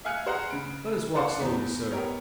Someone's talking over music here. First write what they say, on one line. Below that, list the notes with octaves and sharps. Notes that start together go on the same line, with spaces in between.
Let us walk slowly, sir.
E5 F5 G#5 F6 F#6 C#7
G#4 C5 F#5 A#5 F#6
C#3 B5 D7
A4 B4 C5 D5 F5 F#5
E2 B3
B3 G4 A#4 C#5